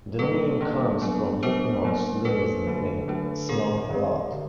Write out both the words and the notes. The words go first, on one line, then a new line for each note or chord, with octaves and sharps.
The name comes from Yukmouth's Luniz nickname, "Smoke-a-Lot".
D#3 G3 A#3 D4 A4 B4
D#3 G3 A#3 D4
F#3 B3 D4
F#3 B3 D4 A#4 C5
F#3 A#3 D4
F#3 A#3 D4 A4 B4
D3 F#3 A3 D4
D3 F#3 A3 D4
D#3 G#3 C4 G#4 A#4
D#3 G#3 C4
D3